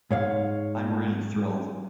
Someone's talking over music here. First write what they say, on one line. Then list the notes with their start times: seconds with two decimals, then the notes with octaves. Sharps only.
I'm really thrilled.
0.11 G#2 C#5 F5